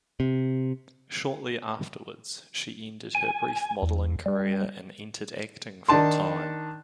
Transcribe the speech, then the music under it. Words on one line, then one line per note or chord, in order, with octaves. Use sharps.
Shortly afterwards, she ended her brief modeling career and entered acting full-time.
C3
G#5
E2
G3
D#3 D4 D#4 A5 C6